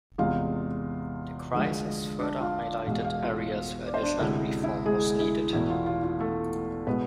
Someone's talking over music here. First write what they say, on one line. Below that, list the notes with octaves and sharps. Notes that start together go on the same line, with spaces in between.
The crisis further highlighted areas where additional reform was needed.
E2 C3 G#3 F4 F5
D2 D3 F3 G#3
D4 D5
F4 F5
E2 B2 G#3 F5
F5
F4 F5
D5
C5
D4 D5
D2 C3 G#3 E4 E5
E4 E5
G#3 G#4
E4
E2 B2 A3 E4
F4
F4
F4
A3 A4
B2 G#3 B3 B4